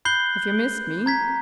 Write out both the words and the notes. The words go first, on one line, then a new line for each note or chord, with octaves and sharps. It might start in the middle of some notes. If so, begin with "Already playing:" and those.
'Have you missed me?'
B5 F#6 G6 C7 F#7 G7
A#5 G#6 B6